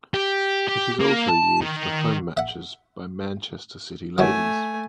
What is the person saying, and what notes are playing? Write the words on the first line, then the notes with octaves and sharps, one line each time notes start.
It is also used for home matches by Manchester City Ladies.
G4
G4
A#3
A5
D#3
E5 F#5
D#3 E3 F#3 A3 G#5